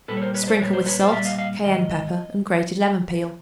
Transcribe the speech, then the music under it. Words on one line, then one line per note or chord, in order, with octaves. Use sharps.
Sprinkle with salt, cayenne pepper and grated lemon peel.
A#2 G3 A4 B4
C#5
A#4 C5
B4 C#5
D#5
C5 D5
A#2 G3 B4 C#5
C5 D5
B4 C#5
C5 D5
F5
A#2 G3 D5 E5
D#5 F5
D#5 F5
G#2 D#3 D#5